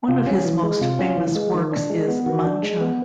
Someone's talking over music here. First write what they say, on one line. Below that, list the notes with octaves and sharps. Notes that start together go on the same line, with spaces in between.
One of his most famous works is "Mancha".
C3 F4
C#4
E3
G#3
C3 F4
C#4
E3
G#3
D#3
D4
G#3
B3
D#3 F#4
D4
G#3
B3